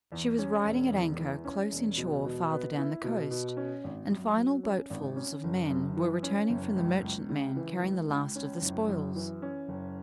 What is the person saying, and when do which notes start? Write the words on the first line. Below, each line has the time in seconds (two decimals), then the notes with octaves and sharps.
She was riding at anchor close inshore farther down the coast, and final boatfuls of men were returning from the merchantman carrying the last of the spoils.
0.12 E2
0.38 C#4
0.64 E1
0.92 E2
1.19 E3
1.45 C#4
1.72 E1
1.97 B2
2.25 B2
2.51 B3
2.78 E4
3.04 B2
3.31 B2
3.57 C#4
3.84 G#1
4.10 F#2
4.37 F#3
4.63 C#4
4.90 G#1
5.16 C#4
5.44 F#1
5.70 F#2
5.97 E3
6.23 C#4
6.50 F#1
6.76 C#2
7.03 C#2
7.29 C#3
7.56 E3
7.82 C#2
8.09 C#2
8.35 C#4
8.62 F#1
8.88 F#2
9.15 E3
9.42 C#4
9.68 F#1